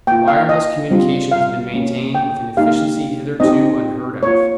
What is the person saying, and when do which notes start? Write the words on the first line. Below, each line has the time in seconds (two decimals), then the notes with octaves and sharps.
The wireless communication has been maintained with an efficiency hitherto unheard of.
0.07 A#3 F4 G5
0.28 F5
0.49 D#5
0.91 G3 C4 F4
1.31 F5
1.74 A#3 C#4 G4
2.15 G5
2.57 A#3 D#4 G4 F5
3.40 C4 D#4 G4 D#5
4.22 A#3 F4 C#5